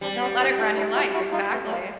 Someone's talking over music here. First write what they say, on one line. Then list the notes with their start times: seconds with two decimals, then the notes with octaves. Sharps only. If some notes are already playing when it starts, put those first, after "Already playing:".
Don't let it run your life exactly.
0.01 G3 C4 D4
0.21 B3 C#4
0.39 C#4 D#4
0.58 D4 E4
0.76 D4 E4
0.95 E4 F#4
1.14 E4 F#4
1.32 D#4 F4
1.51 A3 B3
1.65 A3
1.70 G#3 A#3